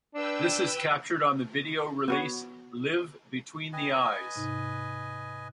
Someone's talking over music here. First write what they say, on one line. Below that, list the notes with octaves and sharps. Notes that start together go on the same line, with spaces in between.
This is captured on the video release "Live Between the Eyes".
D4 B4 G5 E6
B3 F#4 C#5
B4 D#5 G5 G#5
G#2 C3 D#4